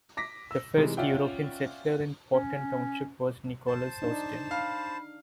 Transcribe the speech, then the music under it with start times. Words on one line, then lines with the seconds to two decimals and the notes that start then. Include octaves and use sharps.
The first European settler in Potton township was Nicholas Austin.
0.17 D6 A#6 B6
0.51 E6
0.77 C3 E3 G3 G#3 D#4
0.97 C#4 F4 D5 E5 F#5 G5
2.31 C#4
3.67 C5 A5
4.02 D4 D#4
4.51 F5 B5